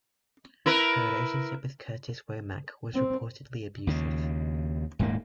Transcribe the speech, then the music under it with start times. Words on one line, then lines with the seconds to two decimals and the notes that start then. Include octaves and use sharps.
Her relationship with Curtis Womack was reportedly abusive.
0.66 E4 A#4 B4
2.94 C4
3.87 D#2 C#3
4.99 D#1 G#2 G#3 A#3